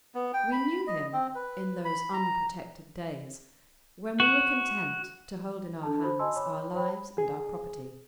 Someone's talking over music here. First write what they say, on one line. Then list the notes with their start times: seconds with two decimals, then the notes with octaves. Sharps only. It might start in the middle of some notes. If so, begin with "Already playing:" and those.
We knew him in those unprotected days when we were content to hold in our hands our lives and our property.
0.15 B3
0.33 G5
0.52 B5
0.87 D#5
1.13 C4
1.35 B4
1.85 B5
2.13 A#5
4.20 F#4
5.83 D4 A4 A5
6.02 F#4 C5 B5
6.19 D#5 G#5 A5 C6 E6
6.36 C#5 B5 D6
6.74 C5 C#5 G5 B5
7.18 G#4